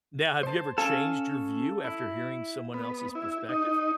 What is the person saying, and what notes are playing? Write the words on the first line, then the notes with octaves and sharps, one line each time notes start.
Now, have you ever changed your view after hearing someone else's perspective?
C5 A5
C#4 A4 F5 G#5
E4
B3
E4
D#4